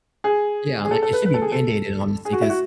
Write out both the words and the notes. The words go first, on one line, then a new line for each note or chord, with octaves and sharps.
Yeah, like, it should be mandated honestly, 'cause
G#4
G#4
A4
A4
B4
B4
A4
G#4
A4
G#4
F#4
E4
F#4